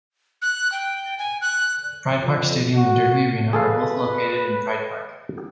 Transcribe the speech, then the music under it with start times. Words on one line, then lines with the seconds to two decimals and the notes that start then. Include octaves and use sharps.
Pride Park Stadium and Derby Arena are both located in Pride Park.
0.42 F#6
0.72 G5
1.18 G#5
1.41 F#6
2.19 F2
2.76 F#4
3.53 G#4 A4 B4 F5